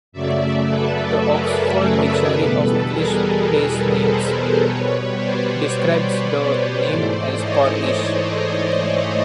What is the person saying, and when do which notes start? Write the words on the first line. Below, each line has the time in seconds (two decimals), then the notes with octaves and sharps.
The Oxford Dictionary of English Place Names describes the name as Cornish.
0.12 F#2 C#3 F#3 A3 D5 E5
0.69 A4 B4
1.24 G#4 A#4
2.36 E2 B2 G3 A4 B4
2.92 G#4 A#4
3.48 A4 B4
4.03 A#4 C5
4.59 B2 G3 B4 C#5
5.16 C5 D5
6.83 G#2 E3 A3
7.38 C#5 D#5